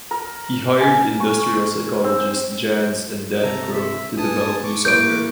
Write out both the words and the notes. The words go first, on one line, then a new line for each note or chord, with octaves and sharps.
He hired industrial psychologist Janz and Dan Crow to develop new software.
A#4
G#5
C#6
C4
C3 A4 A#5
E5
B3 D4 G#4 G#5 A5 D#6
C#6 D6
A2 G3 A#3 G6 D7